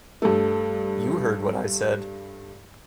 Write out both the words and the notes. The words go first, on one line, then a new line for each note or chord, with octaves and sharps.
You heard what I said.
G2 A3